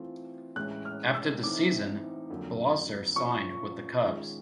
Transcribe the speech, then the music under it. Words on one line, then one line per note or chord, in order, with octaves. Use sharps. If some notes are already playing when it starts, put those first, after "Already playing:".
After the season, Blauser signed with the Cubs.
Already playing: E3 A3 C4 F4
A2 E3 G#3 C#4 F#6
F6
E6
E3 A3 C4 D#4 D6
F2 D3 F#3 A#3
A#2 F3 A#3 C#4 C#6
D#3 G#3 C#4 F4